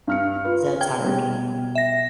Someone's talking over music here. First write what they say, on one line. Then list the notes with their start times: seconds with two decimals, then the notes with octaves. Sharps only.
‘cause that's hard.
0.07 G2 F6 C#7
0.45 F4 B4
0.81 G5 G#6
1.04 B2 G3
1.75 E5 A#6